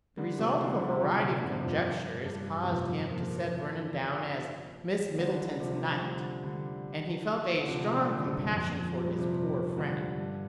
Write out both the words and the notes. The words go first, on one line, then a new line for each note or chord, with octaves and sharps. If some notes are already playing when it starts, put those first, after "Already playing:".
The result of a variety of conjectures caused him to set Vernon down as Miss Middleton's knight, and he felt a strong compassion for his poor friend.
D3 G3
C3 F3
D3 G3
D3 G3
C3 F3
F3
A#2 D3
D3
G2 C3
F2 A#2
G2
G2
C3
F2 A#2
F3 A#3
A#3
D3 G3
C3 F3
D3 G3
D3 G3
D3
C3 F3
A#2 D3
F3
D3
G2 C3
F2 A#2
F3
G3
C3 F3
D3 G3
G2